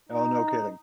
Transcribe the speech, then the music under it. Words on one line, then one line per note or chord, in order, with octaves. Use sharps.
Oh, no kidding.
D#4